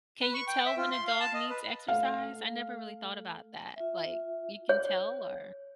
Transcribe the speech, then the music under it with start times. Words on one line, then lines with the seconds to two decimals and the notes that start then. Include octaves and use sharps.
Can you tell when a dog needs exercise? I never really thought about that. Like, you can tell or
0.22 B4
0.34 C#6
0.48 G5
0.66 E5
0.77 F4
0.92 C6
1.07 F5
1.20 A5
1.34 D#5
1.50 B4
1.88 A3 A4 F5
3.76 F4 E5
4.69 C#5